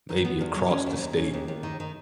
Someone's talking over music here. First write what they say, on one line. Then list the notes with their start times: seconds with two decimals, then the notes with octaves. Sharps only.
maybe across the state.
0.09 D#3
0.25 B3
0.41 E2
0.55 F#3
0.70 C#4
0.86 D#2
1.01 D#2
1.17 C#4
1.33 D#2
1.48 D#2
1.63 D#3
1.80 D#3